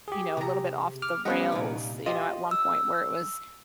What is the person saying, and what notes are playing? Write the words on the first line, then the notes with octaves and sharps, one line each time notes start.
you know, a little bit off the rails, you know, at one point, where it was
G4 G#4
C3 A#5
D6 F6
G3 B3 C#4 D#5 F#5
C2 A#2 D#4
F4 G4 D#5
E6